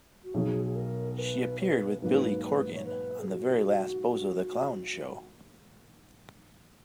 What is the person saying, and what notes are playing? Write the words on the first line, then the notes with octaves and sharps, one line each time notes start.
She appeared with Billy Corgan on the very last Bozo the Clown Show.
F#4
B1 B2 F#3 G#4
G#4
A#4
B4
C#5
B4
G#2 F#3 A#3 B4
B4
C#5
B4
G#4
F#4